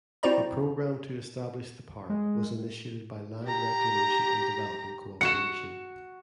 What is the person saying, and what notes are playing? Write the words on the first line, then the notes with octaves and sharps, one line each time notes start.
The program to establish the park was initiated by Land Reclamation and Development Cooperation.
C4 E4 F#4 C5 D5 A#5
G#3
G4 A#5
F#4 F#5 C#7 E7